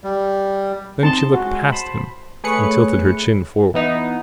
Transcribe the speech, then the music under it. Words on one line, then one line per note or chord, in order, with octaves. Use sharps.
Then she looked past him, and tilted her chin forward.
G3
C4 D#4 A5 C6
G#3 F#4
C5 A5 B5
A3 G#4 B4 C#5 F#6 C#7
E3 B3 D#4 E4